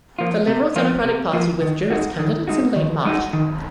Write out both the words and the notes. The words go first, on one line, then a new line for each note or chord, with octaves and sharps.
The Liberal Democratic Party withdrew its candidates in late March.
F3 A#3 F4
C3
F3 A#3 F4
C3
F3 A#3 F4
D#3
G#3 D#4 F#4
D#3
G#3 D#4 F#4
D#3
G#3 D#4 F#4
D#3